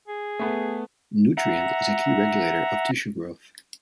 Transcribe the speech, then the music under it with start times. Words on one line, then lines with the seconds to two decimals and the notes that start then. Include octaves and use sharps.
Nutrient is a key regulator of tissue growth.
0.08 G#4
0.39 A3 B3
1.37 E5 F#5 A#5